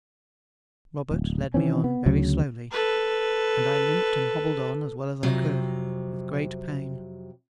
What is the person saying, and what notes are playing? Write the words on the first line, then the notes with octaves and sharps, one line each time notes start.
Robert led me on very slowly, and I limped and hobbled on as well as I could with great pain.
D1
D#3 E3 C4 C#4
B3
D2 C#3 F#3
A4 B4
F2 C3 F#3